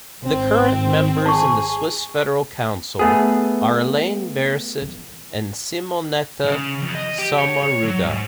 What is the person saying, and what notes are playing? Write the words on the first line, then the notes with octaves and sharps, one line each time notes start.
The current members in the Swiss Federal Council are: Alain Berset and Simonetta Sommaruga.
G#1 C4
G#4 A5 C#6
A3 B3 G#4
C#3
F2
D#5
G4
C#5
C#5
F#3
G#2